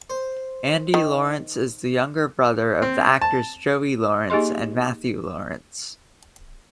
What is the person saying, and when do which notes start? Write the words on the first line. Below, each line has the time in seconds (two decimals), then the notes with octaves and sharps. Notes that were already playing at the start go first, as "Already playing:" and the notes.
Andy Lawrence is the younger brother of the actors Joey Lawrence and Matthew Lawrence.
0.10 C5
0.94 D#3
2.82 C4
3.22 A5
4.30 A#3 D#4 G4 G#4 D#5 C6